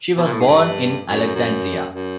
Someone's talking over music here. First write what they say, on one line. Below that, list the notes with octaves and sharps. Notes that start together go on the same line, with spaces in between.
She was born in Alexandria.
B2
A#2
A2
G#2
G2
F#2
F#2
F#2